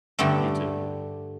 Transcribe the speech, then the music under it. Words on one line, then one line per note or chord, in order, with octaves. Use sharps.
You too.
G2 D3 G3 A3